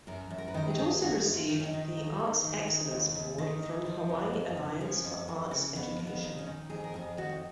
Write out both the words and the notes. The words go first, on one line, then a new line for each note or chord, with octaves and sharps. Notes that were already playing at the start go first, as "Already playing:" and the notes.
It also received the Arts Excellence Award from the Hawaii Alliance for Arts Education.
F#2 A#4
F#2
A#4
B4
D#3 A#4
G#4
D#3
G#4
F#2 F#4
F#2
F4
D#3
C#4
D#4
D#3
D#2 D#4
D#2
D#3
D#3
D#2
D#2
D#3
D#3
F3
F2
F2
C#3
F3 C#4
F2
F2
C#3
F2 B3
F2
B3
D#3
C#4
D#3
F2 G#4
A#4
F2 G#4
D#3 F#4